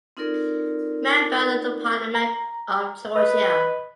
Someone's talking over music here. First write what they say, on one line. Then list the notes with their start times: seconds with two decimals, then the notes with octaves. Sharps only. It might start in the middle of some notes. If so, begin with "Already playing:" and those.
Member of the Parliament of Georgia.
0.17 C4 D#4 F4 A4 A#4 D5
2.15 A#5
3.16 B4 D#5